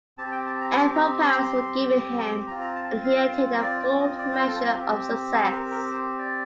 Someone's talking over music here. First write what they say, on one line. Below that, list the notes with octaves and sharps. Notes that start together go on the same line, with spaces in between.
Ample powers were given him, and he attained a full measure of success.
C4 G4 A5
G5
A5
A#5
C6
A#5
C6
A#5
C6
C4 F4 A#5
A#5
A5
F5
D5
D5
D#5
D5
C5
A4
C4 G4
C5
A#4
A#4
C5
D5